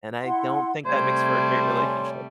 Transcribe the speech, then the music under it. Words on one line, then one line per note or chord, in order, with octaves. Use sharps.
and I don't think that makes for a great relationship.
E4 F#5 C6
C3 G3 A3 C5 G#6
C#5 G#5 C6